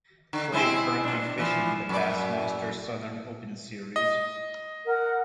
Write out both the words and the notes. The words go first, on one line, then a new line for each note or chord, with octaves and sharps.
Clay currently fishing the Bassmaster Southern Open series.
D3
G#3 C4 E4
B2 D4
E3 F3
F#2 D5
D#5
A#4 F#5